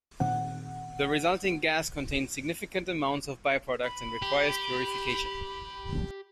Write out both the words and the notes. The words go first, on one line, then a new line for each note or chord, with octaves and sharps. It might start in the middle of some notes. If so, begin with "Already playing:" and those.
The resulting gas contains significant amounts of byproducts and requires purification.
A#2 D#3 C4 F#5
B5
G4